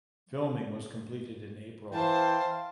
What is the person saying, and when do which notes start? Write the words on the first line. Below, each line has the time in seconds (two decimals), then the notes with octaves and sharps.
Filming was completed in April.
1.93 E3 C5 F5 G5 A5